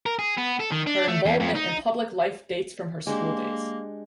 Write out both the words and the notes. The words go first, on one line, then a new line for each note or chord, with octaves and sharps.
Her involvement in public life dates from her schooldays.
A#4
G#4
B3
A4
D#3
D4
A3
E2
F2
D#4
G#3 A#3 D4 G4